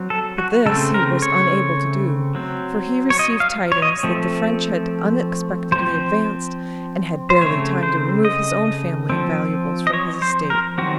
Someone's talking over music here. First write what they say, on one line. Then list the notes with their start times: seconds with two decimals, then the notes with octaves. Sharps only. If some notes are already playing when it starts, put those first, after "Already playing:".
But this he was unable to do, for he received tidings that the French had unexpectedly advanced, and had barely time to remove his own family and valuables from his estate.
Already playing: F#3 C4
0.10 A4
0.38 F#4
0.66 C#3 A3 C4 A4
0.94 A#4
1.22 C#5
2.35 F#3 C4
3.10 C#5
3.19 D#5
3.40 F5
3.72 C#5
3.82 D#5
4.03 F3 A3 C4
5.72 F3 C4 C5
7.30 C5
7.41 C#3 A3 C4 C#5
7.83 C5
8.25 D#5
9.10 F3 C4
9.87 D#5
9.93 C#5
10.22 C5
10.50 A#4
10.78 D#3 F#3 C4 F#4